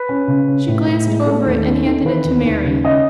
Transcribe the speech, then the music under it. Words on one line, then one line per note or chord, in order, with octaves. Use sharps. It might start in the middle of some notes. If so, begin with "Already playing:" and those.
She glanced over it, and handed it to Mary.
Already playing: B4
C#4
C#3
C#4
A2
A2
G#3
A3 A4
D#2
C#4 A4
D#3
E3 B4
D#2
D#2
C#3
C#4 D#5